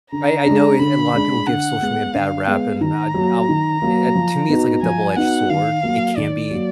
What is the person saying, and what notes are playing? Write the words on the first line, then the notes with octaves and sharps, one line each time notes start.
I I know a lot of people give social media bad rap, and I'd I'll, eh eh, to me, it's like a double edged sword. It can be
D3 A#5
G#3 D4
D3 B5
G#3 D4
D3 F#5
G#3 B3
D3 F5
G#3 B3
D#3 A#5
F#3 A#3
D#3
F#3 A#3
F3
B3 D#4 F#4
F3 G#5
B3 D#4 F#4 F#5
D#3 F5
F#3 A#3
D#3 D5
F#3 A#3